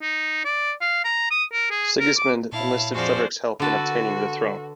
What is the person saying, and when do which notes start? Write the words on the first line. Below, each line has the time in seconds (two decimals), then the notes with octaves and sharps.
Sigismund enlisted Frederick's help in obtaining the throne.
0.02 D#4
0.45 D5
0.81 F5
1.05 A#5
1.31 D#6
1.53 A#4
1.71 G#4
2.00 A#4
2.18 D6
2.52 A#2 E4 C#5 F5 A5
2.94 F2 F3 G#3 F#4 C5 D5 F5
3.60 D3 F#4 A4 B4